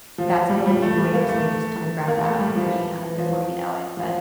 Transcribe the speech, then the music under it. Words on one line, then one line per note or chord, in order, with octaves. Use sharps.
that's a really easy way for somebody to just come and grab that out of your hand before you know it, but
F3
G3
G3
A3
G3
A#3
A3
A#3
A3
G3
F3
E3
E3
F3
F3